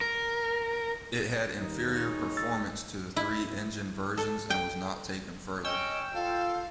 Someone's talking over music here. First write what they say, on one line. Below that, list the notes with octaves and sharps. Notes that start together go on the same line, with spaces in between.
It had inferior performance to the three engined versions and was not taken further.
A#4
D#2 D#4
G#3 D#4 C#5
E6 A6
E4
A4
G5
C#4 D#5 G5 E6
F4 A4 F5